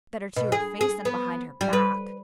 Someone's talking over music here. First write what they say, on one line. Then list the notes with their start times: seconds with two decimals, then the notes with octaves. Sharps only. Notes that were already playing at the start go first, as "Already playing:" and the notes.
"Better to her face than behind her back."
0.36 B2
0.52 G#4
0.81 G#4
1.05 B3
1.61 G3
1.73 B4